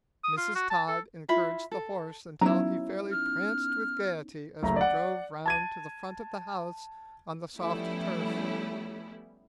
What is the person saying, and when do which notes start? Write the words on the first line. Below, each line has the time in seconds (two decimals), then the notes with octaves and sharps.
Mrs. Todd encouraged the horse until he fairly pranced with gayety as we drove round to the front of the house on the soft turf.
0.24 D#6
0.37 F4
0.55 F#4
0.70 A5
0.88 A4
1.28 E4 F4 E5 B5
1.71 A4
2.41 F#3 B3 C#4 D#4 E4 A#5
3.11 F6
4.63 F#1 A3 A#5
4.76 D5 F#5
5.46 A5 G#6 D#7
7.59 F3 G3 A3 B3 C#4 E4